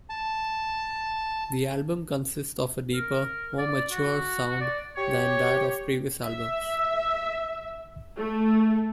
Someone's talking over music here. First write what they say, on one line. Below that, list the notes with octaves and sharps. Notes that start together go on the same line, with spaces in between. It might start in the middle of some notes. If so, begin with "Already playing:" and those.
The album consists of a deeper, more mature sound than that of previous albums.
A5
A#4
D5
F#4
D5
G4 C#5
E5
A3